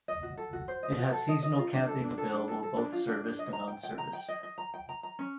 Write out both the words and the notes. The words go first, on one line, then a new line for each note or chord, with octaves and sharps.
It has seasonal camping available, both serviced and unserviced.
D#5
F#4
A4
F#4
C5
D#5
F#4
A4
D#5
D#5
F4
D4
A4
D4
A4
D4
A4
A4
D4
F4
D4
D4
D#5
A#5
G5
G5
A#5
G5
D#5
D#5
A#5
G5
A#5
A#5
C#4